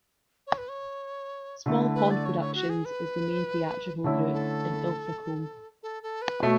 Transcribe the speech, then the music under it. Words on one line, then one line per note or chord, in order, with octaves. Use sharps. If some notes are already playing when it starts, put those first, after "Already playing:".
Small Pond Productions is the main theatrical group in Ilfracombe.
C#5
B4
C#5
D3 A3 E4
B4
D5
C#5
C#5
F#4
G#4
B4
D3 A3 C#4 E4
A4
A4
A4
B4
B2 A3 C#5